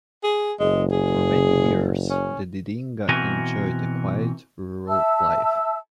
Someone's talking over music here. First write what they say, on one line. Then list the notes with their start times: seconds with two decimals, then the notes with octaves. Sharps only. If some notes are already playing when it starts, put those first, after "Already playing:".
For many years, the Didinga enjoyed a quiet, rural life.
0.24 G#4
0.60 F#1 G#3
0.92 G#4
2.10 C#4
3.09 B2 E3 C4 F#4 A#4 G#5
4.89 E5 A5 E6